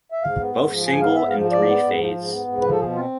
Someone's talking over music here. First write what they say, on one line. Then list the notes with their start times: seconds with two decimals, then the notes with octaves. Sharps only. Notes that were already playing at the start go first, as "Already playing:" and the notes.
Both single and three phase.
0.12 E5
0.23 G#2 F5
0.39 B3
0.55 G#2
0.71 F3
0.87 G#2 G#5
1.02 B3 F5
1.15 G#2 E5
1.29 F5
1.36 F3
1.51 G#2 D5
1.67 B3
1.83 G#2
1.99 F3
2.16 G#2
2.32 B3
2.47 G#2
2.60 F3 B4
2.71 A4
2.80 B2 G#4
2.95 C4 F4